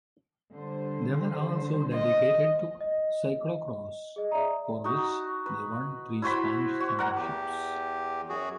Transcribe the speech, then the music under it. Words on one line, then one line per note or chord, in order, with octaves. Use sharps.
They were also dedicated to cyclo-cross, for which they won three Spanish Championships.
D3 G3 C5
D#5
D#5
G#4 D#5
D5 E5 A#5 D#6
D#4 F#4
B4
E4 F#4 C5 B5
F#4
A#4 F#5 A#5
E2 G4
F#2 F#4 G#4